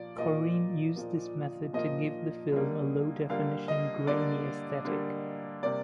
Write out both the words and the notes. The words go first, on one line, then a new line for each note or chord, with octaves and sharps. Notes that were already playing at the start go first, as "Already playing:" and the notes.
Korine used this method to give the film a low-definition, grainy aesthetic.
Already playing: A#2 F3 A#3 D5
A#2 F3 A#3 D#5
A#2 F3 A#3
A#2 F3 A#3 D#5
D3 G3 A#3
D3 G3 A#3 F5
D#5
D3 G3 A#3 D5
D3 G3 A#3
C3 G3 A#3 D5